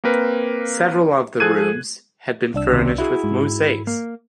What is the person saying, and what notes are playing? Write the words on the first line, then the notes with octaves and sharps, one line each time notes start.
Several of the rooms had been furnished with mosaics.
A#3 C4 A#4 B4
F3 G#4 A4 F#6 G#6 D#7
C2 D4 E6
D#2 C3
E4 F#4 G#4
G#2
A#3